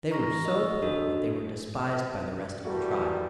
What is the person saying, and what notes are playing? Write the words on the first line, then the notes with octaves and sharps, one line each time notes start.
They were so poor that they were despised by the rest of the tribe.
A#5 C#6 F6 A#6
D#5 C#6 E6
D4 F#4 A4 D#5
E3 G3 A3 A#3 F#4 A4